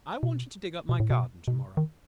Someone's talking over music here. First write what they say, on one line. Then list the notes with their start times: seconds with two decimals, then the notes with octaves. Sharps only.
'I want you to dig up my garden to-morrow.'
0.23 B2
0.89 B2
1.00 A2
1.10 B2
1.48 B2
1.56 C3
1.77 D#3